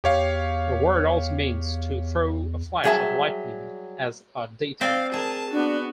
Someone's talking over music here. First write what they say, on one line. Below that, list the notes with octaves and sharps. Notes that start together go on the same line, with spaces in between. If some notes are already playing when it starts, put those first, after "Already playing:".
The word also means "to throw a flash of lightning, as a deity".
E2 G4 C#5 F5
F#3 G3 G#4 C5 E5 A5
C4 C5 D5 F5
G#4 A#4 A5
B3 D4 F#4